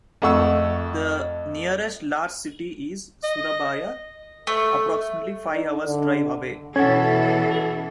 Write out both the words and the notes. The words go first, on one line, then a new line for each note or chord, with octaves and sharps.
The nearest large city is Surabaya, approximately five hours' drive away.
F2 A3 F#5 C#6 E6
D#5
A3
D#4 D5
D3 A4
B2 E3 C#4 A4 F#5 G#6